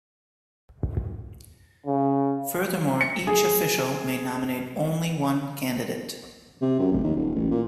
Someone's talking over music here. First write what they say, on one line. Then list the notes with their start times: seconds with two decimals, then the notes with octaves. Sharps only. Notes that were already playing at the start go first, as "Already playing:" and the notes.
Furthermore, each official may nominate only one candidate.
1.86 C#3
3.01 C#7
3.27 G#4
6.62 C3
6.79 F#2
6.91 F1
7.04 D#2
7.16 D#1
7.35 A1
7.51 A#2